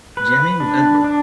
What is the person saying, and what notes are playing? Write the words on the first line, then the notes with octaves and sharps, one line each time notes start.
Jamming with Edward!
B4
D4
D4